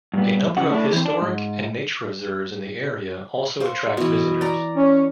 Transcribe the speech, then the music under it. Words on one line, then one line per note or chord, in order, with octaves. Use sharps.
A number of historic and nature reserves in the area also attract visitors.
G2 A#2 B3
C#3 F#5
A3 D4 E4
E3 C4
D4
G#2
C5 F5
B2 E3
D5 A#5
C#4